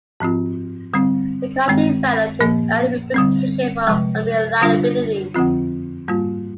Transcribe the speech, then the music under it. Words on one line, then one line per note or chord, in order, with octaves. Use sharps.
The car developed an early reputation for unreliability.
G#2 F3 C4 F4
D3 G3 C4
G2 D#3 G#3 C4
A#2 F3 A#3
D3 G3 C4
C3 F3 G#3
D3 G3 D4 F4
F2 D3 F3 C4 F4
G#2 G3 A#3 F4